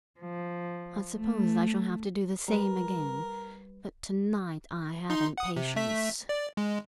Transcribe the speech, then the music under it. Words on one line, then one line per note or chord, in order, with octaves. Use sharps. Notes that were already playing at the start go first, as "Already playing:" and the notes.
I suppose I shall have to do the same again, but to-night I haven't patience.
F3
A3
G3 A#4 B4
D#4 C6
F#5 D#6
C3
A3 E5 B6
D5
G#3